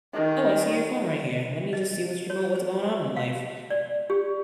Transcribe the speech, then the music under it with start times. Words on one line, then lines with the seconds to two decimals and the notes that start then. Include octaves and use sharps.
"Oh, I see your phone right here, let me just see what you going what is going on in life."
0.13 D#3
1.73 D#5
2.30 C#5
2.55 C5
3.17 F5
3.70 D5
4.10 G4